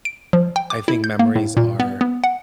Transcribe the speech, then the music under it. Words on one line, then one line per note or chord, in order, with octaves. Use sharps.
I think memories are
D7
F3
G5
D6
E4
G6
A#3
A2
A#2
B3
B3
F#5